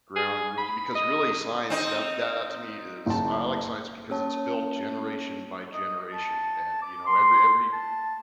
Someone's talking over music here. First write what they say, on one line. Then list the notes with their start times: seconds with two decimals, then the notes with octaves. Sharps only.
ground rule because, really, science, that that to me is I I like science because it's built generation by generation, and, you know, every every
0.16 G#4
0.58 B5
0.95 D#5
1.70 C4 D#4
3.06 F#1 A5
4.10 A#3 C#4 C#5 A5
5.73 D#5
6.14 A5
6.82 D6
7.06 C6
7.73 A5